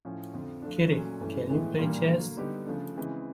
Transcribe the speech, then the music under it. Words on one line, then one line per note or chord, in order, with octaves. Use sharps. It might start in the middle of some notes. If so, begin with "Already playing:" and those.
Kitty, can you play chess?
A2 F3 A3 C#4
F2 D3 F3
F3 A3 D4
A#2 F#3 A3 C#4
G2 E3 A3 C#4
A2 E3 G#3 B3
A#2 G3 A#3 D4
D3 F#3 A#3
D3 G3 B3 D#4 G4
C#3 F3 A3 D4
C#3 E3 G#3 C4